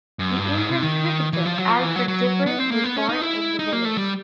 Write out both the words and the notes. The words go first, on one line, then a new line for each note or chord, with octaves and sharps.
The England cricketer Alfred Dipper was born in the village.
F#2
G2
G#2
C3
D#3
E3
F3
F#3
F3
E3
F#3
F#3
B3
C4
A#3
B3
C#4
D#4
E4
D#4
A#3
A3
G3